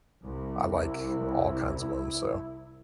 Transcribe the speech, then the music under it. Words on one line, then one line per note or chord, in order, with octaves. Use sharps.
I like all kinds of 'em, so,
C2
E4